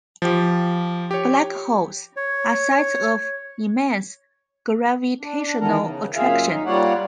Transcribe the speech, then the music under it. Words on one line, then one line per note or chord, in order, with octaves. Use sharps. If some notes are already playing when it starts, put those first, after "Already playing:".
Black holes are sites of immense gravitational attraction.
F3 G4
G4 C#5
C#5
D4
D#3 E3 B3 A4 A#4
C#3
F#2 A#2 F4 G#4 E5 F5
D#4
G3 A#3 F4 C#5 D5 F#5